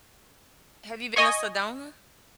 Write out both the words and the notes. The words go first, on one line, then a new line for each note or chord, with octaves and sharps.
Have you been to Sedona?
D#5 G#5 C#6